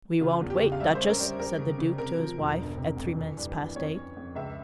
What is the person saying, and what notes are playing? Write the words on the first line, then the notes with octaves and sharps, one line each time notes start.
"We won't wait, Duchess," said the Duke to his wife at three minutes past eight.
C#3 F4
E2
G4
C#3
F5
G3 E5
C#4 C5
A#4
G3
G3 A#4
C#3
C#3
C3 A#4
F3
E1
G1
C3
F2
E3
G2
E3
F2 C#5
C#4
F2
C#2 E5